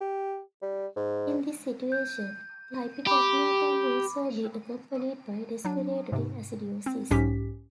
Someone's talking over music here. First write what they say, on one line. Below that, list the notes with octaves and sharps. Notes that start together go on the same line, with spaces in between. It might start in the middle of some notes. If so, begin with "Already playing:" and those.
In this situation the hypercapnia can also be accompanied by respiratory acidosis.
G4
G3
G#2
G6
G4 B5 D6
F#3 D4
G#2 C3
C4
B1 G#2 C#4 G4 B6